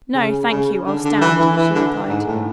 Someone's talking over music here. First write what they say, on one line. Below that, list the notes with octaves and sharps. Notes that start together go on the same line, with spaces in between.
"No, thank you, I'll stand," she replied.
C#3
C#3
D3
D3
E3
E3
E3
D3
G#2
A2